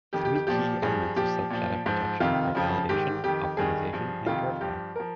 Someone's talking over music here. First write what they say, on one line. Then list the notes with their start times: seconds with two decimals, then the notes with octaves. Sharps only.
Three key elements of such data protection are Validation, Optimization and Chargeback.
0.13 F2 D#3 G4
0.25 G4
0.35 G4
0.47 A#2 F3 G4
0.82 G2 F3 G#4
1.16 A#2 F3 G4
1.50 A#2 F3
1.86 G#2 F3
2.20 F2 C3 D#3 F4
2.55 F2 C#3 F3
2.89 G#2 D#3 G4
3.24 F2 D#3 G4
3.57 G2 D#3 G#4
3.93 G2 F3
4.26 F2 C3 D#3 F4
4.61 G2 F3 G4
4.96 F3 A#4